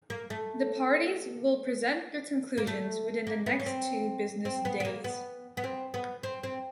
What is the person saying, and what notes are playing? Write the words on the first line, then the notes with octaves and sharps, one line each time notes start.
The parties will present their conclusions within the next two business days.
A#3
A3
A#3
A3
A#3
B3
C#4
C4
C4
B3
B3
A#3
B3
B3
C4
B3
C4
C4